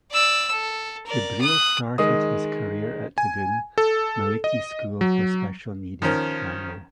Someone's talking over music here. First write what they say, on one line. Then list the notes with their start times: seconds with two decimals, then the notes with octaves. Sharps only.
Jibril started his career at Tudun Maliki School for special needy Kano.
0.11 D5 E6
0.51 A4
1.06 A#4 D5
1.41 D#6 F#6
1.98 D#3 G#3 D#6
3.18 G#5
3.78 A4
4.44 D#5
5.01 F#3
6.02 D#3 F3 C#4 A#4